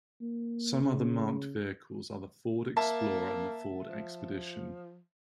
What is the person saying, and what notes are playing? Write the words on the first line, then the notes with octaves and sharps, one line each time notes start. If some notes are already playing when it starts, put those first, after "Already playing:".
Some other marked vehicles are the Ford Explorer and Ford Expedition.
A#3
C#3
A#3 E5 A5
F3